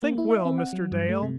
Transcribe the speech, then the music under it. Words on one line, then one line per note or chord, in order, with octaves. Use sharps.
"Think well, Mr. Dale!"
A#3
E4
E5
C4
F#5
F#3
G2
A3
C3